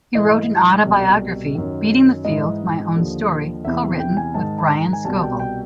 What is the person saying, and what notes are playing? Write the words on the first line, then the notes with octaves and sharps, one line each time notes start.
He wrote an autobiography "Beating the Field: My Own Story" co-written with Brian Scovell.
G#2 E3 D#5
C2 B2
F#2 D#3
G#2 E3 D#5
D#2 D3 F3
E2 C3 E3 E5
G5
G#5
G#2 D#3 A5
A5
A#5
G#5
C2 B2 A5
G5
G5